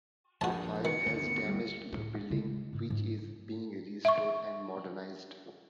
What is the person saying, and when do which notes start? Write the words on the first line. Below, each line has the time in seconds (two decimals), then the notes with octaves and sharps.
A fire has damaged the building, which is being restored and modernised.
0.41 A#1 E2 G2 F#4 A#4 A5
0.85 D#3 C#7
1.06 D2 G2 B2
1.25 B3
1.44 G3 E4 F#4
1.92 A2 E4
2.30 C#3 G#3
2.73 G#2
2.90 G#2
4.05 E5 C#6